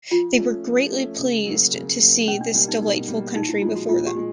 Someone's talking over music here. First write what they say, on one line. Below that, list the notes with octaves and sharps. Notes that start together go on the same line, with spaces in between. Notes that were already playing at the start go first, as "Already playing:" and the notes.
They were greatly pleased to see this delightful country before them.
F3 F4
A3 C#4
F3
A3 C#4
C#3
F#3 A#3
C#3
F#3 A#3
B2 C#4
D4
G3 A#3 D4
D#4
B2 D#4
G3 A#3
A#2 D#4
E4
F3 G#3 F4
F#4
A#2 F4
G4
G#3